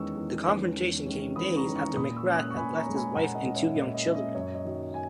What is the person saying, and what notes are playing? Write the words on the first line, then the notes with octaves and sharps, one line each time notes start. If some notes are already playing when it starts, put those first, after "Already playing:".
The confrontation came days after McGrath had left his wife and two young children.
Already playing: E2 D#3 G#3 C#4 C#6 E6
E2
D#3 G#3 C#4
E2
D#3 G#3 C#4
E2 B5 D#6
A#5 C#6
D#3 G#3 C#4
A#5 C#6
A#2 B5 D#6
C#6 E6
G#3 C#4
D#6 F#6
C#6
A#2 G#5 B5
A#5 C#6
G#3 C#4
G#5 B5
A#2 F#5 A#5
D#5 F#5
G#3 C#4
C#5 E5
A#2 D#5
D#5
G#3 C#4 E5
D#5
F#2 C#5
D#5
D#3 F#3
G#5